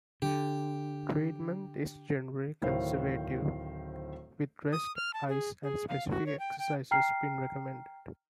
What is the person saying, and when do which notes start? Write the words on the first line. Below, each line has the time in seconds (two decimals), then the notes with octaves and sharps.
Treatment is generally conservative with rest, ice, and specific exercises being recommended.
0.22 D3 G4
2.62 D1 A2 D#3 C5 F5
4.72 D#6
4.96 F6
5.14 A5
5.29 G#4
5.63 G#4
5.88 F5
6.10 F#4
6.26 C#5
6.40 G5
6.59 G5
6.91 G5 A#5 F6 C7